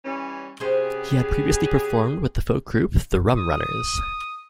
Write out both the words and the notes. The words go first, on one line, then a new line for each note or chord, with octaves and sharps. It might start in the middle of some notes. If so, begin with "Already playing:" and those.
He had previously performed with the folk group the Rum Runners.
E3 G3 C#4
C3 B3 C#4 G4 G#4 C5
D#6